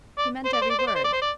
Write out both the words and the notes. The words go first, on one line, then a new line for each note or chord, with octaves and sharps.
He meant every word.
D5
C5
D5
C5
D5
C5
D5
C5
D5
C5
D5